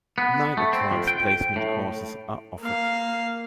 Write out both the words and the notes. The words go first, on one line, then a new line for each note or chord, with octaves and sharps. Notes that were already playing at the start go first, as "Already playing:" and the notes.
Nine advanced placement courses are offered.
B3
A3
C4
F2
G5
A2
A#3 F5